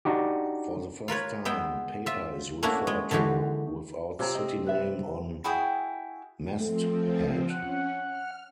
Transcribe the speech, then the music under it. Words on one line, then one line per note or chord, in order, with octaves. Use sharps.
For the first time, paper is referred to without city name on masthead.
D4 D#4 F#4 G4
F4 A#4 B4 C#5
G#3 B3 E5 G5
F4 E5
A3 A#3 C#4 D4 E4 F#4
G#3
D3 E3 G#3 F#4 G4
C3 C4 F4 C#5 A#5
D#5
B4 E5
E4 F#4 G#4 G5
F3 A3 C4
C#4 F#5
F6